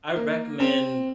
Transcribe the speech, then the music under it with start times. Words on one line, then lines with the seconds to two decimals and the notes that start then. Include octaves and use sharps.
I recommend,
0.16 A#3
0.60 C4